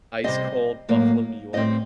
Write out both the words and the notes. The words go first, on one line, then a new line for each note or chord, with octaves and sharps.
ice cold Buffalo, New York.
C3 G3 C4 D#5
A2 F#3 A#3
A2 G3 C4 D#5